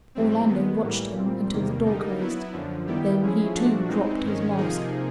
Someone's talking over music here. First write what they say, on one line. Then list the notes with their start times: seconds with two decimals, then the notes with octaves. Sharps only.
Orlando watched him till the door closed, then he too dropped his mask.
0.15 G#2 E3 G3 C4
0.49 D#3 G#3 B3
0.83 A2 E3 G3 A#3
1.16 A#2 G3 C4
1.51 E2 C3 D#3 G3 A#3
1.85 D3 G3 A#3 D#4
2.20 F#3 B3 E4
2.53 F#2 D3 F3
2.87 D#3 G3 B3 E4 G4
3.21 F3 G#3 C#4 E4 G#4
3.55 A#2 F3 A3 D4 F#4
3.89 E3 G#3 C4 D#4
4.23 G#2 D#3 G#3 C#4
4.57 C3 F3 A#3 D#4 G#4